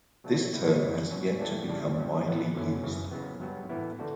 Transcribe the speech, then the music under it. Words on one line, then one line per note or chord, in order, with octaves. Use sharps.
This term has yet to become widely used.
B2 F#3 A3 D4 F#4
B2 G3 C#4 E4
F#2 C#3 E3
B2 F#3 C#4 F#4
G2 E3 A3 D4 F#4
E2 C#3 G3 D4
G2 F#3 C#4
A2 E3 B3
F#2 D3 F#3 C#4 E4
F#2 C#3 E3
C#3 F#3 B3
G2 F#3 B3 F#4
A2 E3 B3 E4
D3 A3 D4 F#4